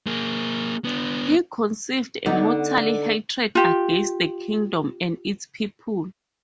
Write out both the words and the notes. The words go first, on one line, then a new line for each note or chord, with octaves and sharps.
He conceived a mortal hatred against the kingdom and its people.
A#3 G#4
B3 D4
D3 B3 D#4
F4 G4